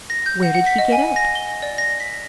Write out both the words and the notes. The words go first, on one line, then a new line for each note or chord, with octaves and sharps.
Where did he get out?
A#6
G6
F#5
F#5
B6
D#5
G#5
A#6
G7
D5
A#6
B6